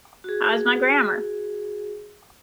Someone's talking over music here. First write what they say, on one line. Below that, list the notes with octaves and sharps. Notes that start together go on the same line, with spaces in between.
How is my grammar?
F#4 G#4